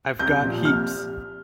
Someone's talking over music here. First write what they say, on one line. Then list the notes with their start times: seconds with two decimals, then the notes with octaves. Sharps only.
I've got heaps.
0.19 C2 G6
0.42 A#2 F3
0.65 C2 F6